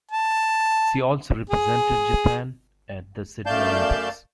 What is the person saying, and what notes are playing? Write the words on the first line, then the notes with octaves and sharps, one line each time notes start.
She also represented Japan at the Sydney Olympics.
A5
G#4
F#2 A3 D5 F5 A5 G6